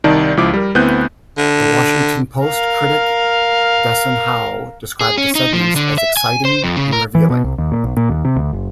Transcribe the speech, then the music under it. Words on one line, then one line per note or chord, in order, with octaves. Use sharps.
"The Washington Post" critic Desson Howe described the segments as exciting and revealing.
C2 D#3 D#4 D5 A5
C#2 F3 E4 D6
G3 A#4
D2 B3 C4 E4 F#6 G6
D3
A#4 F5
G#4
C#4
D#4
F3
D3
E5
G#5
C5
F2
C#3
A#4
E3
B2
C2
D#2
A#2
B1
A#2
D#2
C3
D2
F#1